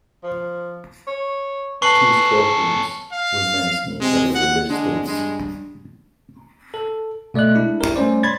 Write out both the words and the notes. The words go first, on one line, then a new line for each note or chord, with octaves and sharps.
Two scorpions were menacing each other with their stings.
F3
C#5
C#4 A4 B4 C#6 C7 F#7
F5
C3 G#3
D#2 F#5
D3 G#3
G2 G#3
A4
B2 A3 D5 D#5 F#6
G#3 D4 E4
E4 G4 A#4
G3 A3 C#4 C5 D5
B5 C6 G#6 A6